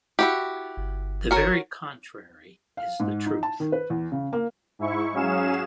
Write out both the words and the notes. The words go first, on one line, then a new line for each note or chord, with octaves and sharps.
The very contrary is the truth.
E4 F#4 G4
G1
F#4 A#4 C#5
F5
G#2
D#4
A5
D#3
B4
E2
C#3
A#3
G#2 E4 C#6
F#3 C#4 G#4 F5 E7